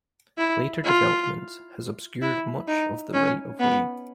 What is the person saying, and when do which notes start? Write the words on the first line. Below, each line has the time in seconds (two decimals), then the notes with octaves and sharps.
Later development has obscured much of the right of way.
0.38 E4
0.84 F4
2.22 E4
2.68 D#4
3.13 C#4
3.59 B3